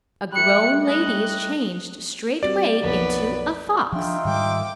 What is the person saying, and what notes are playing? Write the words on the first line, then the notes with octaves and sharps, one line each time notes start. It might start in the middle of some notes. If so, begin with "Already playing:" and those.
A grown lady is changed straightway into a fox.
G3 A3 F#6 C#7
D#5 F#6
G3 C4 F#4 D5
B1 F2 A#3 B3 B4
F3 D4 D#4 F4 E5 G5
G#2 D#3 G3 G5 D6